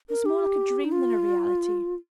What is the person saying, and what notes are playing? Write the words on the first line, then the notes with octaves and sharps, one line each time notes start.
It was more like a dream than a reality.
A#4
G4
D#4
F4